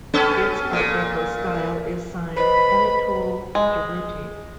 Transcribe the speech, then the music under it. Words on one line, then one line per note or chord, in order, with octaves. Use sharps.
Its art deco style is signed Anatole Durruty.
B3 C#4 A4
A#2
B4 C5 D#5 B5
G#3